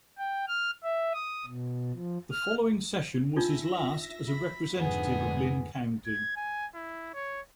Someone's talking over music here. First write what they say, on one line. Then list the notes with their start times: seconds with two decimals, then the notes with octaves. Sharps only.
The following session was his last as a representative of Linn County.
0.18 G5
0.48 F6
0.84 E5
1.14 D#6
1.47 B2
1.94 F3
2.31 F6
3.36 D4 D#4 F4 E5 A#6
4.28 B5
4.76 F2 G#2 D3 B3 G#4
6.06 G#6
6.36 G#5
6.75 E4
7.14 C#5